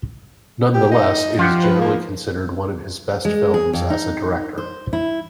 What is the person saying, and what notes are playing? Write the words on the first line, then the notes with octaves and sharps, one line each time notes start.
Nonetheless, it is generally considered one of his best films as a director.
G4
D#4
F3 F4 G4 F#5
B4
A#3
G#3
G#4
F2
D#4
C5
E4